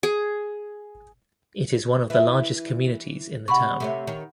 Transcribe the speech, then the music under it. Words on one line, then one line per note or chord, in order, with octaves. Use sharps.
It is one of the largest communities in the town.
G#4
E3 E4
C3 F#5 B5 C#6
C3 A3 C#5
D#3 C#5